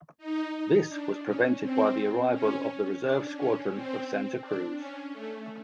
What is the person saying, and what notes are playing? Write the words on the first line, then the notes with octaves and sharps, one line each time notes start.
This was prevented by the arrival of the reserve squadron of Santa Cruz.
D#4
D4
C#4
C4
C#4
D4
C#4
C4
D4
C#4
A3